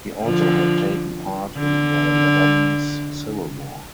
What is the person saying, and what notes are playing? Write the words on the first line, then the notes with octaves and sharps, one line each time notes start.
He also had taken part in the Lebanese Civil War.
D3 F3
D3